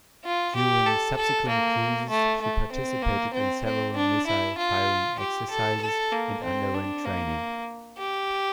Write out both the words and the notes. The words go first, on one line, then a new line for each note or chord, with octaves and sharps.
During subsequent cruises, she participated in several missile firing exercises and underwent training.
F4
G4
A4
A4
A#3
A3
A3
C4
A#3
C4
C4
D4
E4
F4
G4
A4
A4
A#3
C4
D4
A#3
G4